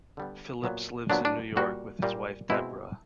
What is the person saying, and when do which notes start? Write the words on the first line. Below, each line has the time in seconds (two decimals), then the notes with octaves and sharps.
Phillips lives in New York with his wife Debra.
0.17 D3 G3 B3
0.64 A#2 F#3 B3
1.10 A#2 F#3 B3 D4
1.25 D4
1.56 A#2 G3 A#3 F#4
2.02 A#2 G3 A#3
2.50 B2 G#3 C4 E4